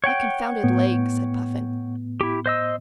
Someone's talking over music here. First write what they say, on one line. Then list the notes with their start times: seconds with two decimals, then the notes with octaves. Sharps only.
"My confounded leg!" said Puffin.
0.04 C#5 F#5 G5
0.64 A2 B3
2.21 E4 G4
2.46 C5 D#5 E6